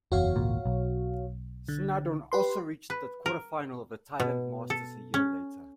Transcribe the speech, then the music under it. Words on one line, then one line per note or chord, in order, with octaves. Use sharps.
Snaddon also reached the quarter-final of the Thailand Masters a year later.
F#1 E2 F#4 C#5 F5
G#1 C#2 A#2
B1
D3
G4 B4 C6
B4
A#4
B2
A4
C#4